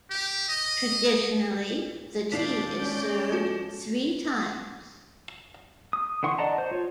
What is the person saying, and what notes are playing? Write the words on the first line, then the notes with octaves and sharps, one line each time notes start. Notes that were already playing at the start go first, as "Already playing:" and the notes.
Traditionally, the tea is served three times.
G4
D#5
D#2 A#2 G#3 D4 D5 G6 B6 C7
C#4
F3 F#4 A4
D#6
D3 E3 F#5 C6 C#6
D5 D#5 F#5 A5 A#5
C5
F4 C#5